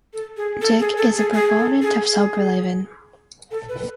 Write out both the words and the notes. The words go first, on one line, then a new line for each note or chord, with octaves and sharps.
Dick is a proponent of sober living.
A4
G#4
A4
G#4
A4
G#4
G#4
A4
G#4
G#4
A4
B4